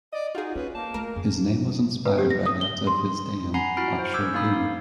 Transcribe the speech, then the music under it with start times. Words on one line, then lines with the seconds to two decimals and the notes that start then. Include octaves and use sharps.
His name was inspired by that of his dam Offshore Boom.
0.13 D5 D#5
0.35 D#4 F4 F#4 G#4
0.55 C4 C#4 B4
0.75 A#3 A5
0.94 A3 A#4
1.16 F#2 G#4
2.05 B4
2.18 G4
2.30 A#6
2.46 D#6
2.61 G7
2.87 C6
3.54 F#5 G#5 A#5 B5 C7
3.77 E4 F#4 G#5 B5 F6 D7
3.99 C5
4.14 D6 E6 G6 G#6
4.34 A#3 D#4 F5 B5 D#6
4.54 F5